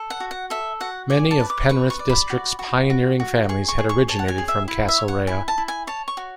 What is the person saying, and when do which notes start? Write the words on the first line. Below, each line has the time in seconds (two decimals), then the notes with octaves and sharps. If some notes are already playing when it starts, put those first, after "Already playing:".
Many of Penrith district's pioneering families had originated from Castlereagh.
Already playing: A4
0.10 F#5
0.20 F#4
0.31 F#5
0.50 A4 E5
0.80 F#4 F#5
1.10 D5 G#5
1.31 A5
1.40 B4
1.50 D6
1.69 B4 C#6
1.90 C#6
1.99 D5
2.10 B5
2.30 F#4
2.59 F#4
2.90 F#4
3.20 F#4
3.49 G#4 C#6
3.68 C#6
3.78 G#4
3.89 C#6
4.08 C#5 A5
4.19 F#5
4.28 G#5
4.38 G#4
4.48 E5
4.68 E4
4.88 E5
4.98 C#5
5.08 F#5
5.27 E4 G#5
5.48 A5
5.58 E4
5.68 G#5
5.87 C#5 A5
6.08 C#6
6.17 F#4